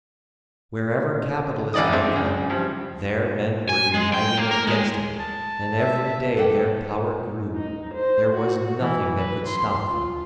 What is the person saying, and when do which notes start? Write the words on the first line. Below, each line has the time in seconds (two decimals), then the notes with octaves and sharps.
Wherever Capitalism had come, there men were uniting against it; and every day their power grew--there was nothing that could stop them.
1.74 A1 E3 D5 D#5 D#6
1.92 G#2 G#3 C4 D4 E5
2.15 C#2
2.50 G2 F3
3.69 G#5
3.94 G#3
4.14 G5
4.37 A#3
4.51 A#4
4.67 G#3
5.19 A5
5.79 E5
6.37 A4 B4 C#5 D5 F#5 G5
7.55 D#4
7.94 C5
8.34 F#4
8.80 E3
9.18 B4
9.47 C6
9.88 F4